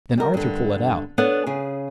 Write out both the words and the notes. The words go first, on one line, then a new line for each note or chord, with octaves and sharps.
Then Arthur pulled it out.
G3 A#4
G2 D3
B3 D4 A4 C#5 F#5
C#3 G#4